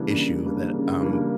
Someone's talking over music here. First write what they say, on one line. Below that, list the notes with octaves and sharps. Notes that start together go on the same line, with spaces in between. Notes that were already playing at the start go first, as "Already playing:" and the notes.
issue that, um
Already playing: C#3 E3 G3 A#3 D4
C#3
E3 G3 A#3 D4
C#3
E3 G3 A#3 D4